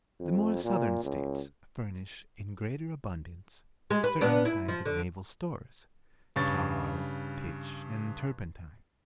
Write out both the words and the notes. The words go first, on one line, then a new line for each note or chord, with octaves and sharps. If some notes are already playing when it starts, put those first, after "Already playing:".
The more southern States furnish in greater abundance certain kinds of naval stores--tar, pitch, and turpentine.
F2
A#2
C#2
G#3
B4
A#2 B3 D4
E4
F3
D3
G2 C#3 C#6 A6